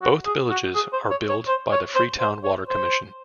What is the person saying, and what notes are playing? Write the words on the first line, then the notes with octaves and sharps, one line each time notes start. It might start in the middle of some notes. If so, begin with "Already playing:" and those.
Both villages are billed by the Freetown Water Commission.
F#4
G#4
F#4
G#4
C5
C#5
C#5
C5
C#5
C5
C5
C#5
C5